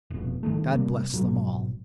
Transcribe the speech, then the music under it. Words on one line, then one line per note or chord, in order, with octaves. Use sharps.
God bless them all.
F1 B2
G1 D#3 A3
C3 G3 A#3
G#1 B2 F#3